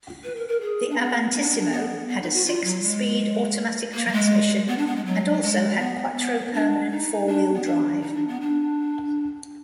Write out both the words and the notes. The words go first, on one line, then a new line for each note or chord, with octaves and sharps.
The Avantissimo had a six-speed automatic transmission and also had quattro permanent four-wheel drive.
B4
A#4
A#4
G#4
D4
B3
D#4
D4
B3
D4
B3
B3
D#4
F#4
F4
F#3
G#3
A#3
F#3
G#3
B3
D4
B3
G#3
F#3
G#3
B3
B3
D4
D#4
D4
B3
D4
D#4
D4
B3
D4